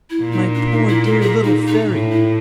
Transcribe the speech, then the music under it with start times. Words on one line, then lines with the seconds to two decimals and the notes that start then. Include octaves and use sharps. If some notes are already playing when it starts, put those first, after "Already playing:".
My poor, dear little Fairy!
0.10 E4
0.21 A#2
0.32 D#4
0.55 D4
0.72 D#4
0.89 E4
1.06 A4
1.22 G#4
1.44 D#4
1.67 D#4
1.89 A2
2.12 E4